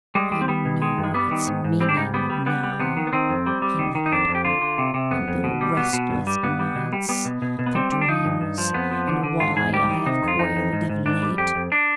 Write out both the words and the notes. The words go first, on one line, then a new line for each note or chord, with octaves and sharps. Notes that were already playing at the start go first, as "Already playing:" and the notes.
'I know its meaning now,' he muttered, 'and the restless nights, the dreams, and why I have quailed of late.
G3 G#3
G3
C4
G3 B3
B2
D#3 G#3
G2
G#3
G3 B3
D#3
G#2
G#2
G3 C4
D4
G#2 D#4
G3 B3
G3
G3 B3
G3
C3 B3
D#3
B3
D#3 C4
F2
G3
G3
D#3
D#3
D#4
F2 D4
F2
G4
D3 F4
D3
C3
C3
F2 B3
F2
B2
G3
B2 B3
B2
G2
G3
G2 B3
G3
B2
G3
G3 B3
B2
B2
B2
B3
G3 C4
G3
D4
F3 D#4
G2
G2
F3
F2 B3
F3
D3
D3
G#2 F4
G#2 G#4
G3 G4
D#3
C3 D#4
F2 F4
F2 D#4
F2
G#2
G#2
G#2 D4
G3
F2 G4
F2
D4